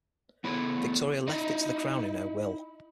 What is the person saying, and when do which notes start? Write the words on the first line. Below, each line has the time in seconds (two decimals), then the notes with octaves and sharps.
Victoria left it to the Crown in her will.
0.44 B3 E4 G#4 A4
1.27 D#4 E4 D#5